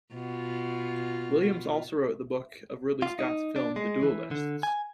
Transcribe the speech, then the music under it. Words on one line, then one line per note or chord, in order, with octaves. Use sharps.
Williams also wrote the book of Ridley Scott's film "The Duellists".
B2 F4
F4
D#4
D4
G#3
E3
D3
G#5